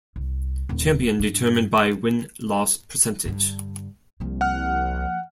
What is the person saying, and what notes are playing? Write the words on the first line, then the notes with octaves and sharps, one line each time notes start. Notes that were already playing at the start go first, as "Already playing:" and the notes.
Champion determined by win-loss percentage.
C2
D#1
G2
G2 D3
C2 F3 A#3
F#5 F6